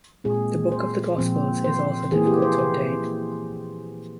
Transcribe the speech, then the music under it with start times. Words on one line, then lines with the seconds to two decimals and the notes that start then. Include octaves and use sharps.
"The Book of the Gospels" is also difficult to obtain.
0.24 A#2 G#3 C4 G#4
0.72 C5
1.18 A#2 F3 C4
1.64 C5
2.12 E3 A#3 G#4
2.27 G4
2.42 C5
2.58 C5